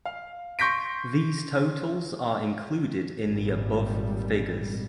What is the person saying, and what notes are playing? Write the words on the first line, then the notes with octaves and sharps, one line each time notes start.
These totals are included in the above figures.
F5
C6 C#6 G6 A#6 B6 D7
G#1 A#2 G3